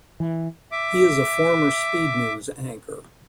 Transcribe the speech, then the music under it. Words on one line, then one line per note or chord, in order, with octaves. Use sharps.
He is a former "SpeedNews" anchor.
E3
E5 D6